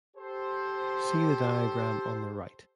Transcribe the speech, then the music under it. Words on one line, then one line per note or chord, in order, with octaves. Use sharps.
See the diagram on the right.
G4 A4 C5